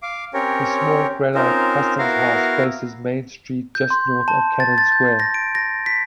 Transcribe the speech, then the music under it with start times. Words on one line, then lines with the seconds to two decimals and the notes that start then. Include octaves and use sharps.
The small granite Customs House faces Main Street just north of Cannon Square.
0.02 F5 D6
0.34 C4 C#4 G4 A#4 C#5
1.35 C4 C#4 D#4 F4 A#4 C5
1.99 B3 E4 F#4 A#4 F5 A#5
3.75 G6
3.90 C6
4.28 A5
4.60 A6
4.78 A6
4.92 G6
5.20 A#6
5.34 D7
5.55 A#6
5.86 B6